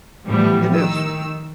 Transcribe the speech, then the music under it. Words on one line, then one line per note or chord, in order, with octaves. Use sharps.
It is.
A2 E3 F3 G3 B3
D#3 E6